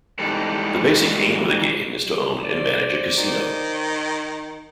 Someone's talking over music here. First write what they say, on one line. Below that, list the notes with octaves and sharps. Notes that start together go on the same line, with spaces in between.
The basic aim of the game is to own and manage a casino.
G#2 E3 G3 A4
G3
C5 D5
D#3